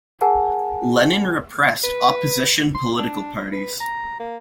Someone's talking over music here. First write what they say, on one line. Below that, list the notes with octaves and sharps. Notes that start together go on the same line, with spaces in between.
Lenin repressed opposition political parties.
G#4 A#4 F#5 G#5 A5
B4
C6
D4
B4
A#5
A#3